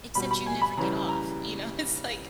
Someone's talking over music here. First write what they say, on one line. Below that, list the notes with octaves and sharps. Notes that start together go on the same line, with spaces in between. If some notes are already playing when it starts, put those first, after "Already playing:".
Except you never get off, you know, it's like,
B2 G3 B5
B5
G#5
B5
C#3 E3 G3 A#5
A#5